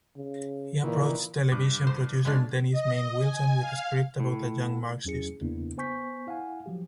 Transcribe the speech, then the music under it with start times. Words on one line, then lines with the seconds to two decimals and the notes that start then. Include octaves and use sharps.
He approached television producer Dennis Main Wilson with a script about a young Marxist.
0.16 C#3
0.83 A#2 D#3 E3
1.52 G2 D6 F#6
1.87 C5
2.25 G#3 C#4 D4
2.71 D#5
3.19 G#5
3.60 F5
4.20 A2
5.05 E2 F#3 C#4 E4 G#4 C#7
5.41 E2 C#3 A#3 B3 D4 E4
5.77 B3 C5 G#5 C#6 G6 B6
6.27 E4 F5 F#5 G#5
6.66 F3 F#3 G4